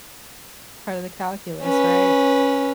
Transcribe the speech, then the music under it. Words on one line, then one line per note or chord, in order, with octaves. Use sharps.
part of the calculus, right.
C#4 B4